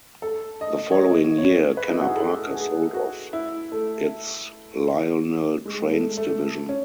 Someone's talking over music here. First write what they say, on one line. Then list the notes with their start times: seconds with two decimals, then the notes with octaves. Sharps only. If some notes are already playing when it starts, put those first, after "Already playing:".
The following year Kenner Parker sold off its Lionel Trains division.
0.22 A4
0.61 D#5
0.92 C#5
1.00 D#5
1.38 C#5
1.77 B4
1.88 D#4
1.95 E4
2.01 F#4
2.09 G#4
2.16 A4
2.54 G#4
2.94 F#4
3.33 E4
3.72 A3
5.66 G#3
5.92 A3
6.17 A3
6.69 C#4